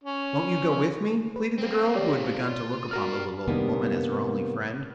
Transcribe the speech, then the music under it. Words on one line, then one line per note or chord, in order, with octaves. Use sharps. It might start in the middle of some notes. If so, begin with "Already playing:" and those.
"Won't you go with me?" pleaded the girl, who had begun to look upon the little old woman as her only friend.
C#4
B4
A#3 C4
G4 C#5 D5
F4
F#4 A#4 D5 A#5 F6
C3 D#3 G3 A#3 B3 D4